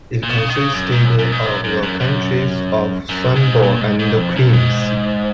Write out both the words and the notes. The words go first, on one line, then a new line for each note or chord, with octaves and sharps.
It consisted of the counties of Sunbury and Queen's.
A#2
B2
C#3
D#3
C#3
F#2
G#2
F#2
F#2
G#2
F#2
F#2
F#2
F#2
F#2
G#2
A#2
G#2
G#2
F2
F#2
G#2